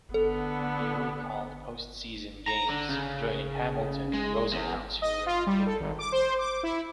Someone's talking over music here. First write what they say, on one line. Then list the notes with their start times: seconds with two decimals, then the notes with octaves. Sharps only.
He only called postseason games, joining Hamilton and Rosenhaus who were in the booth.
0.14 D3 B3 A4
2.48 A#5
2.68 D3
2.89 C#3
4.14 G#3
4.53 E2
5.02 D#5
5.26 F4
5.47 G3
5.67 A4
5.80 G#1
5.99 D6
6.12 C5
6.38 D6
6.63 E4